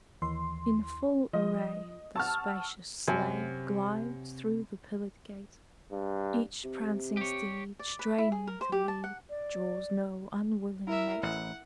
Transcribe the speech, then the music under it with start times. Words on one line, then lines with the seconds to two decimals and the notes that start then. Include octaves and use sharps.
In full array, the spacious sleigh Glides through the pillared gate: Each prancing steed, straining to lead, Draws no unwilling mate.
0.22 D#2 E3 C6
1.33 F3 D#5
2.16 F#5 A5 C#6 E6 F6
3.08 F#2 C3
5.92 G2
6.65 C3
7.17 G4 C#5
7.79 D5
7.99 B4
8.18 E4
8.32 G#4
8.47 A#4
8.61 C5
8.72 G4
8.88 A5
9.04 F#5
9.29 D5
10.87 E4 A#4 E5
11.23 A1 F#5